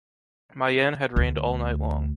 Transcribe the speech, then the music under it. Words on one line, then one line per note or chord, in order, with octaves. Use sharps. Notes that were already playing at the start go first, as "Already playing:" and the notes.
Mayenne had rained all night long.
D2